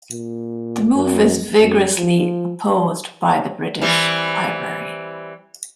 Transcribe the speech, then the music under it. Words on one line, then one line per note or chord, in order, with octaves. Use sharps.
The move is vigorously opposed by the British Library.
A#2
F#2
F#2
F3
E3 G3 C4